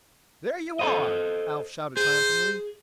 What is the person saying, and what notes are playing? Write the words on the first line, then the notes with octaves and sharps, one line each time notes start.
"There you are!" Alf shouted triumphantly.
A4 C5 D#5
G#4 C5